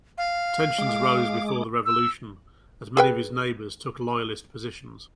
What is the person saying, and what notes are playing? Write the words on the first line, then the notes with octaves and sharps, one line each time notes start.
Tensions rose before the revolution, as many of his neighbors took Loyalist positions.
F5
G#3 D6
E6
G#4 B4 G5